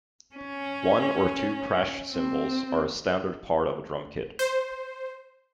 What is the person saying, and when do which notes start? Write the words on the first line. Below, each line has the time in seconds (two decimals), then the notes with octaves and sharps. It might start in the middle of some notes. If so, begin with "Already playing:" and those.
One or two crash cymbals are a standard part of a drum kit.
0.35 C#4
2.12 C4
4.39 C5